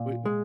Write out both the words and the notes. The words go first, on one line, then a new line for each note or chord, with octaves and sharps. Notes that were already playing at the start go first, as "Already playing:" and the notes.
Wa u
Already playing: A#2
G#3